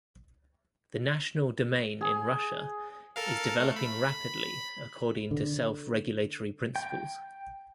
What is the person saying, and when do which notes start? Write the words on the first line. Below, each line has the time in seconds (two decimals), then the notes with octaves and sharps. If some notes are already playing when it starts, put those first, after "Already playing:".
The national domain in Russia is developing rapidly according to self-regulatory principles.
2.01 G#4
3.16 A4 A#4 F5
3.60 A3
3.76 B5
5.31 D3
6.76 G5